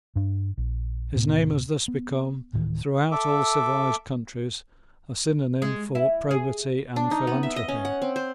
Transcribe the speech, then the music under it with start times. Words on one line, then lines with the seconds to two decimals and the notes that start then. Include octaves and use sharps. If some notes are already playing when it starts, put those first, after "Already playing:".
His name has thus become, throughout all civilised countries, a synonyme for probity and philanthropy.
0.16 G2 D4
0.58 A#1
1.15 D2 A2 C3 B3
1.88 B3
2.53 D1 A2 D#3 E3
3.11 A4 E5 D6
5.62 G#3
5.95 E4
6.31 G#4
6.96 D4
7.11 D#4
7.27 B3
7.43 E5
7.56 D#5
7.68 C#4
7.85 F#5
8.02 C4
8.16 C5